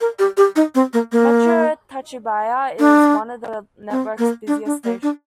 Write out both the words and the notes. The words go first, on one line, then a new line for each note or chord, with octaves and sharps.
Metro Tacubaya is one of the network's busiest stations.
A#4
G4
G4
D#4
C4
A#3
A#3
D4
C4
A#3
D4
D4
A#3
D4